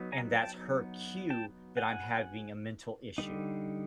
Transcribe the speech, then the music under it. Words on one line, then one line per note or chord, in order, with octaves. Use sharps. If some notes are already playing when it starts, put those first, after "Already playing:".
And that's her cue that I'm having a mental issue,
Already playing: F#3 B3 D#4
G#5 A#5
G5 A5
G5 A5
F#5 G#5
D3 G3 B3 D#4